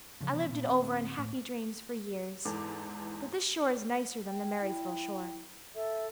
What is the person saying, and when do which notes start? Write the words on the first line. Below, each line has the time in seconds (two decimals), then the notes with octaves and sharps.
I lived it over in happy dreams for years. But this shore is nicer than the Marysville shore.
0.21 G2 C#3 F3
0.34 G2 B2 D#3 E3
0.52 A#2
0.67 D1 C4
1.18 A2
2.45 E2 G#2 E3 A4 D6
4.26 G5
4.60 E4
5.75 A4 E5